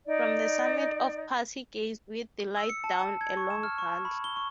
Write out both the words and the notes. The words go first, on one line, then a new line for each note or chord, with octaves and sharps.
From the summit of a pass he gazed with delight down a long valley.
D#4 D5
E6
C#7
A5
A5
G#6
C#6
E7
F6
C#6
B5
G7
C#6